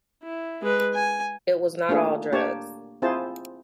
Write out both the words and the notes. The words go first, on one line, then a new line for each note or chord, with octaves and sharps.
It was not all drugs.
E4
G#3 B4
G#5
A3 A#3 D4 F4 G#4
A#3 D4 G4 C#5 A5
C4 E4 F4 G#4 C5 A5